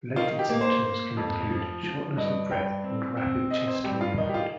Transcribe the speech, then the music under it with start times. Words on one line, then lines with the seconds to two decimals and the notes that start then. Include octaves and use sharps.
Related symptoms can include shortness of breath and rapid chest movement.
0.16 D#3 F4
0.39 G4
0.49 A#3
0.61 C5
0.83 A#3
1.17 F2
1.51 F3
1.83 F3
2.17 G2 D#5
2.51 G2 G5
2.84 C4
3.17 C4
3.50 C4 D#5
3.67 C5
3.84 G2 G4
4.01 F4
4.18 D#3 D#4
4.29 G4
4.34 F4